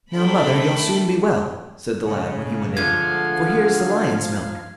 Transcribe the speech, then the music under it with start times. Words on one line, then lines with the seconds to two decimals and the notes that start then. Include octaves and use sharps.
'Now, mother, you'll soon be well', said the lad, when he went in, 'for here is the lion's milk.'
0.13 A3 D4 A4 G5 B5
2.05 C#3
2.77 G#2 D3 F3 A3 F5 G#6